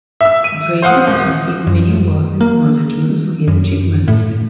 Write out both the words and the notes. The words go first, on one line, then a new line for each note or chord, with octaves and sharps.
Drayton has received many awards and acknowledgments for his achievements.
E5 E6
D#7
C5 F5 F#5 D#6
D#1
F#2
A#3
F#2
A2